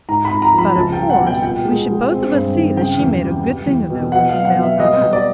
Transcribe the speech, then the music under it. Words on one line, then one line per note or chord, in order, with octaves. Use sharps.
But, of course, we should both of us see that she made a good thing of it when the sale got up.
G#2 A#5
B5
G#2
A#5
F3
B5
C#2 A5
G5
G3
F#5
B2
G5
A#2 G5
G#3
G#3
C4
G2
D#3
C#3 G5
E2
G3
G3
E2
B2
B2 F#5
F#3 F5
F#5
B2
E5
G3 D#5
B2
D5